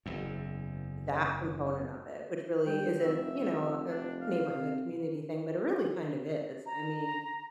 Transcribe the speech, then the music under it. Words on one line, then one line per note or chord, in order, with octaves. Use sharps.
that component of it, which really isn't, you know, a neighborhood community thing, but it really kind of is. I mean,
F#1 E2
G3 G5
F1 E5
D4
F5
C3
A#5